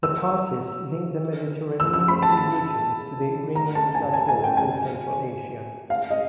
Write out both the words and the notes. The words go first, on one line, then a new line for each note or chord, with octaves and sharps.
The passes linked the Mediterranean Sea regions to the Iranian Plateau and Central Asia.
E6
E6
E6
B5
A5
A5
A#5
A5
G#5
G#5
G#5
G5
G#5
F5
D#5